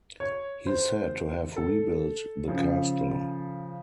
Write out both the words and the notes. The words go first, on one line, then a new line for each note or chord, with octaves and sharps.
He is said to have rebuilt the castle.
C#5
C5
A4
C#3 F3